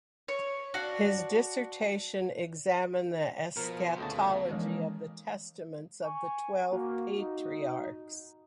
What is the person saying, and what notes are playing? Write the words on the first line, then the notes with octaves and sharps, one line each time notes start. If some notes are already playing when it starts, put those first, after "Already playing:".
His dissertation examined the eschatology of the Testaments of the Twelve Patriarchs.
C#5
D4 F#4 F5
B2 F3 A#4
D2 A2 C#3 D#5 A5
E3 F3 G#3 A#3 C#4 D#4
G#5 C#6
A#3 F#4
D#4